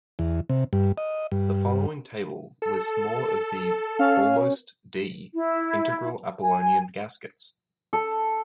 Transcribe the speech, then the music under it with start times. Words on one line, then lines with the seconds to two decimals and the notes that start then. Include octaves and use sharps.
The following table lists more of these "almost"-"D" integral Apollonian gaskets.
0.19 E2
0.50 C3
0.73 G2
0.98 D#5
1.32 G2
2.62 A4
3.99 C#4 F5
5.35 E4
6.43 G#5
7.93 A4